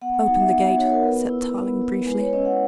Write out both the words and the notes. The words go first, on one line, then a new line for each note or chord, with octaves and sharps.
"Open the gate," said Tarling briefly.
B3 F#5
F#5
D#4 F#4 F#5
E5
B3 E5
D#4 F#4 C#5
A#4
B3 B4
E4
B3
E4
G#3 B4
C#5
C#4 E4 D#5
F#5